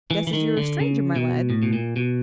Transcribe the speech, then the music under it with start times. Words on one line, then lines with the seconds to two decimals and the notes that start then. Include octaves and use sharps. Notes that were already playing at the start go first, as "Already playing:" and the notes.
"Guess as you're a stranger, my lad."
0.11 E3
0.27 E3
0.33 D#3
0.57 D3
0.80 C#3
1.16 B2
1.50 A2
1.63 B2
1.73 A#2
1.96 B2